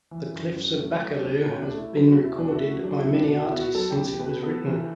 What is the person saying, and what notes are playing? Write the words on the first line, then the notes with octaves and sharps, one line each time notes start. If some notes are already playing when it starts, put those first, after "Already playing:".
"The Cliffs of Baccalieu" has been recorded by many artists since it was written.
E3
F#2
F#2
A3
F#3 F#4
C#4
B2 D4
B2 C#4
D4
A3
E4
F#3
F#4
B2
E4
B2 D4
F#4
E4
A3
F#4
F#3 D4
E4
B2
D4
B2 D4
E4
B3
F#4
F#3 A4
G4
B2
G4
B2 B4
B3 A4
E3